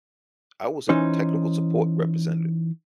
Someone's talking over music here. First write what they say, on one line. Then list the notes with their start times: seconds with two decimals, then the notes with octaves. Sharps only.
I was a technical support representative,
0.89 E3 C#4 D#4 C5